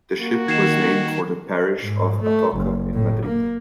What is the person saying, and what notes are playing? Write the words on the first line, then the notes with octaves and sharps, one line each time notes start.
The ship was named for the parish of Atocha in Madrid.
A#3 F#4
D#3 G#6 C7 E7
G#2
A3
F#1
A2
A#3